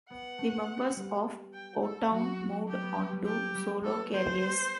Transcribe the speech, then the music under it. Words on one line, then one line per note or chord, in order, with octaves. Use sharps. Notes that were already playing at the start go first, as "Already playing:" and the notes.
The members of O-Town moved on to solo careers.
B3 F#5
A3
G3
G5
A4
F#3 F#4
A3 G4
B3
A3
G3
A3 G4
G3
B3 A4
A3 C5
A3
G3